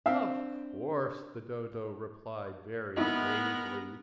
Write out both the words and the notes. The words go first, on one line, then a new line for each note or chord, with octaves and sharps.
'Of course,' the Dodo replied very gravely.
C4 D4 C5 E5 F5 E6
G#1 B3 D#4 E4 A#4